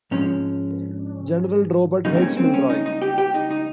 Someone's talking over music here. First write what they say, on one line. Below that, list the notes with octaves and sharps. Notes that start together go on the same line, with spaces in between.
General Robert H. Milroy.
G#2 F3 G#3 C#4
C#2 C#3 G3 A#3 D#4
C4
C#4
C4
C#4
D#4
D#4
G4
G4
D#4
D#4